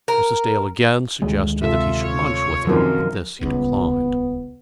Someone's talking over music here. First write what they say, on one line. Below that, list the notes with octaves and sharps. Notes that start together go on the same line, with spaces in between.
Mrs. Dale again suggested that he should lunch with her, but this he declined.
A#4
D2 D#3 G#3
C3 F4 A4 E5
C#5
F#2 D#3 F3 F#3 C4 A#4
D#1 C#2 B3